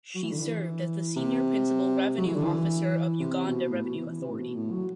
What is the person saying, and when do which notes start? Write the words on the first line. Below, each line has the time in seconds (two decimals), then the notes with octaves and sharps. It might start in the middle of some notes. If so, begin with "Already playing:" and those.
She served as the Senior Principal Revenue Officer of Uganda Revenue Authority.
0.15 F#3
0.22 E3
0.31 D3
0.39 E3
1.16 C3
2.17 F#3
2.27 E3
2.35 D3
2.45 E3
3.20 C3
3.45 B2
3.70 A2
3.83 B2
3.95 E3
4.21 C3
4.29 A2
4.38 B2
4.55 A2
4.71 F#3